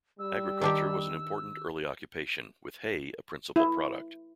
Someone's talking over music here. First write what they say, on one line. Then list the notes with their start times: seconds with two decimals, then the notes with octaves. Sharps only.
Agriculture was an important early occupation, with hay a principal product.
0.19 G3 E6
0.61 D#3 D4 G4
3.56 E4